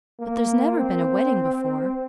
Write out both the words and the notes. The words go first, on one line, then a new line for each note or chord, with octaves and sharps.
But there's never been a wedding before.
A#3
C4